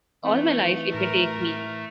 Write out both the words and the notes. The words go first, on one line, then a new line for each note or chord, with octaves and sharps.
All my life it may take me!
E3 A3 C4 D#4
A2 E4 A#4